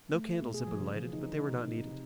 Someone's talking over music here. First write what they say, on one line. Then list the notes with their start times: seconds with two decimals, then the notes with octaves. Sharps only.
No candles had been lighted, but they were not needed.
0.14 A3
0.41 B2
0.54 G#4
0.67 F3
0.80 C#3
0.94 E3
1.13 D#4
1.32 D#4
1.52 C3
1.65 D#4
1.91 C3